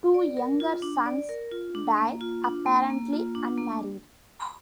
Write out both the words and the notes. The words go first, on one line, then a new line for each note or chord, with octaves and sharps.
Two younger sons died apparently unmarried.
D5
A#4
F4
D4
D5
A#4
F4
D4
A#3
F4
D4
A#3
A#3
F4
D4
A#3